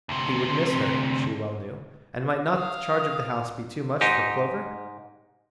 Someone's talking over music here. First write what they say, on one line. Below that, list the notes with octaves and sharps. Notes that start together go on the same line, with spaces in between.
He would miss her, she well knew, and might not the charge of the house be too much for Clover?
D2 C3
F5 D#6
G#2 D#4 G4